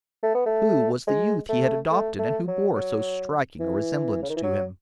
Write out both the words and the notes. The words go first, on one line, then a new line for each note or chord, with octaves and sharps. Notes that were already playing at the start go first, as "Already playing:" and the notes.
Who was the youth he had adopted and who bore so striking a resemblance to him?
A3
B3
A3
G#3
A3
A3
A3
F#3
F#3
E3
C#3
D#3
E3
F#3